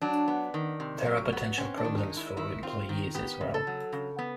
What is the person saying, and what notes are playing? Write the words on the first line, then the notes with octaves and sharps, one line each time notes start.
There are potential problems for employees as well.
F#3 D4
B3
D#3
C3
F#3
B3
C4 C#4
D4
D#3
D#4
G#3
E4
D#3 E4
C4 F4
D#3
B3 G4
C#3
A4
F#3
C#3
B3